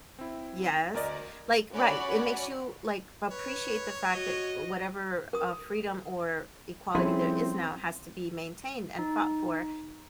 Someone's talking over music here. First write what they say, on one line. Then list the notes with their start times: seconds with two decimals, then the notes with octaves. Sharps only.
Yes, like, right, it makes you, like, appreciate the fact that, eh, whatever, uh, freedom or equality there is now has to be maintained and fought for.
0.19 C4 E4
0.94 D2 A#4 D5 D#5
1.73 C#4 F#4 C#5 D5 F#5 B5
3.30 B4 C#5
4.14 F#4 D#5
5.33 A#4 D#6
6.95 F3 G3 C4 C#4 E4 G#4 A4 C6
8.99 D#4